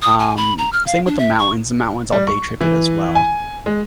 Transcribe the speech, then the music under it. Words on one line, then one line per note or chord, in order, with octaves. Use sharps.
um, same with the mountains, the mountains I'll day trip it as well.
D#6
G#5
B5
A#5
F6
F5
D4
E5
C#6
G3
C#6
E3
G#5
G#3